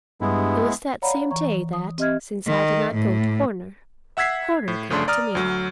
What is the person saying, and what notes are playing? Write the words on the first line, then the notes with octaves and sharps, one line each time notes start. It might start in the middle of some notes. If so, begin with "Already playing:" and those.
It was that same day that, since I did not go to Horner, Horner came to me.
G2 G#3 B3 E4
C#5 D5 F5 F#5 A#5 B5
E3 A#5 C#6
D#6
C4 G4 D#5 E5 F6 G#6
D#3
A2
E5 F#5 E6 G#6 B6 C7
A2
G1 C#3 A3 D4 C6
D5 A#5 D#6 F6
D2 F#3